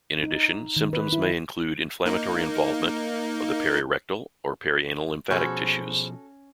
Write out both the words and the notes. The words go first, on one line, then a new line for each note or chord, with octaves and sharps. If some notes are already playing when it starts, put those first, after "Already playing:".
In addition, symptoms may include inflammatory involvement of the perirectal or perianal lymphatic tissues.
D#4
D#3
B4
E4
A#3 D#4
B2 F3 C#4 F#4 G#4 A4 C5 B5